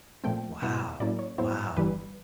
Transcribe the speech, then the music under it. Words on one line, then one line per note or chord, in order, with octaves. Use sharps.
Wow. Wow.
A#2 F3 A3 C4 G5
B2 G3 B3 E4 F#5
A2 F#3 A#3 C#4 E4 D5
C#5
A2 F#3 B3 E4 C5
G1 G2 E3 G3 B4